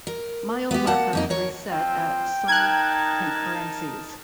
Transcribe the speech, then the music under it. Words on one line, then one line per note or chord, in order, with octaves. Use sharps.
Mile markers reset at some concurrencies.
A#4
B3 G4
A#3 F#5 A5
F2 A#3 D#4
A#4 C#5
F3 C4 G5
D#4 A#4 A5 F#6 G#6